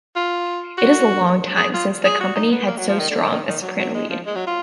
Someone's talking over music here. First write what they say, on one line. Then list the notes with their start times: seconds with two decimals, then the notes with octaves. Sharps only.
It is a long time since the company had so strong a soprano lead.
0.16 F4
0.78 F#4
1.57 G#4
1.74 F4
2.05 G#4
2.21 F#4
2.36 D#4
2.51 B3
2.67 A#3
2.78 F#3
2.89 F3
2.99 D#3
3.10 D3
3.20 D#3
3.31 D#3
3.47 D#3
3.62 F#3
3.78 F#3
3.94 G#3
4.09 F3
4.26 G#3
4.35 F#3
4.47 F4